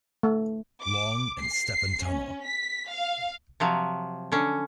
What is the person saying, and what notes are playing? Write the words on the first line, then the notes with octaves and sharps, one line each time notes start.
Long and Stephen Tunnell.
A3
D6
C7
C#4
B6
F5
C3 F3 F#3
D3 C#4